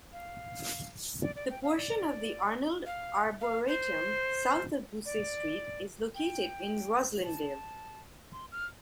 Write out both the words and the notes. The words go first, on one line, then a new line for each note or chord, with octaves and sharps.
The portion of the Arnold Arboretum south of Bussey Street is located in Roslindale.
F5
D5
D5
G5
F5
D5
F5
F5
C5
D5
G5
A5
C6
F6